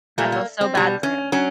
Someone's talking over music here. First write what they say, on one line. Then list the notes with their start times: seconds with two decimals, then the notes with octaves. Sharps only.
I feel so bad for him.
0.18 A#2 G3 A3
0.32 A#3
0.61 C4
0.75 B2 G3
1.03 C#4
1.32 F#3 C#4